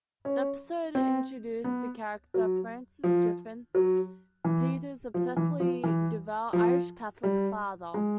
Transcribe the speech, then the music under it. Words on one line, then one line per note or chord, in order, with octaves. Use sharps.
The episode introduced the character, Francis Griffin, Peter's obsessively devout Irish Catholic father.
C#4
C4
B3
F#3
F3
F#3
E3
F3
E3
F3
E3
F3
G3
G#3